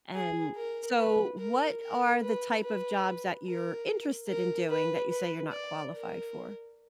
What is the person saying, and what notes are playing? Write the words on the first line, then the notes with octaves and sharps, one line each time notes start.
And so, what are the type of jobs that you're interested in doing, that you say you're not qualified for?
G#4
A#4
B4
A#4
A#4
B4
B4
A#4
A#4
B4
B4
D5
A#4